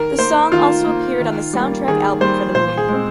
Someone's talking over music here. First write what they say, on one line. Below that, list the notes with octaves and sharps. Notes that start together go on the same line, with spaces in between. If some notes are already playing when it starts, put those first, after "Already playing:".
The song also appeared on the soundtrack album for the movie.
Already playing: D#3 A#4
A#3 C5
D#3 F4
A#3
D#3
G3 A#3
D#3 G#4
G3 A#3 C5
A#2 C5
G#4
G#3 C4